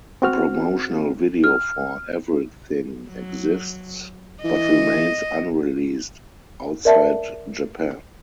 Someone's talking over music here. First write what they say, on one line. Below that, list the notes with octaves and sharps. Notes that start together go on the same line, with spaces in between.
A promotional video for 'Everything' exists, but remains unreleased outside Japan.
C4 F#4 F6
F6
F#3
E3 D#5
A#4 D5 E5 A5